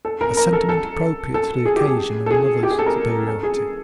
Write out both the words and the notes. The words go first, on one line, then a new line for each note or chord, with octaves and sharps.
A sentiment appropriate to the occasion of another's superiority.
A4
A#4
A#4
A4
A4
A4
G#4
G4
G#4
A4
G#4
G4
G#4
A4
A#4
A4
G#4